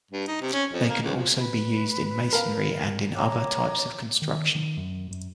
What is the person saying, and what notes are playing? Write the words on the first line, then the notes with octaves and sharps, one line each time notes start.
They can also be used in masonry and in other types of construction.
G2
D#4
C3
C#4
F2
A#3
C#2
F3
B4
A#4 F5
C#5 A#5 D6
D#3
D#3
F#2
F#2